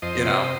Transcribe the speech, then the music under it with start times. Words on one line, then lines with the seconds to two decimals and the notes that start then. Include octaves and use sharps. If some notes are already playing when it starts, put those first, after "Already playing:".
you know?"
0.02 F2 C5 D#5
0.19 C3